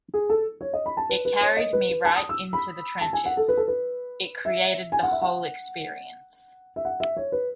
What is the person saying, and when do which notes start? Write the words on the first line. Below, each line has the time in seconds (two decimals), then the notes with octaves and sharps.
It carried me right into the trenches; it created the whole experience.
0.14 G#4
0.29 A4
0.61 C#5
0.73 D#5
0.86 B5
0.97 A5
1.09 B4
1.25 B4
1.41 C#5
1.57 D#5
1.73 B4
1.89 B4
2.05 A5
2.17 D#6
2.29 E6
2.53 B5
3.01 A5
3.13 G#5
3.26 F#5
3.37 A4
3.48 B4
3.57 A4
3.68 B4
4.45 E5
4.92 G#5
5.03 F#5
5.11 E5
5.22 F#5
6.76 E5
6.85 F#5
7.00 E5
7.17 C#5
7.32 B4